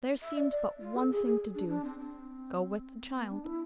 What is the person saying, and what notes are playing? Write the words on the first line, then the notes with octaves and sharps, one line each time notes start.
There seemed but one thing to do: go with the child.
E5
D5
D5
F4
A4
G#4
G#4
D4
D4
C4
C4
B3
D4
E4